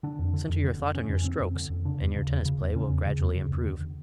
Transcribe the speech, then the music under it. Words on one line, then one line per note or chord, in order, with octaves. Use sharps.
Center your thought on your strokes and your tennis play will gradually improve.
D3 D4
F2
D3
F2
D3
F2
D3 C#4
F2 C#4
D3 C4
F2
D3
F2
C#3 D4
E2
C#3
E2
C#3
E2
C#3 C#4
E2
C#3
E2
C#3
E2
D3